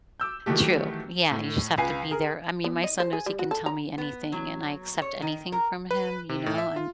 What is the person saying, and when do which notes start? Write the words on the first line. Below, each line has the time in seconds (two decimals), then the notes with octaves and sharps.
True, yeah, you just have to be there, I mean, my son knows he can tell me anything, and I accept anything from him you know, I'm
0.20 D6 E6 G6
0.46 D#3 E3 F#3 A3 G4
1.31 A2
1.78 C#2 B4 G#5 C7
2.11 G#4 A#4
2.64 B3
2.84 D#5
3.00 C5
3.13 G#4
3.26 G3
3.39 F#4
3.51 A4
3.66 A#5
3.98 B3
4.32 F#3
5.02 C#5
5.22 D#3
5.52 A#4
5.91 B4
6.29 C3
6.46 A2
6.58 E5
6.76 F4